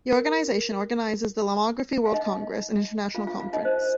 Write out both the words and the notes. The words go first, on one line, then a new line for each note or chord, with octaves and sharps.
The organisation organises the Lomography World Congress, an international conference.
A#4
F5
D#4 D#5
F4 F5
F4 F5
F4 F5
D#4 D#5
C5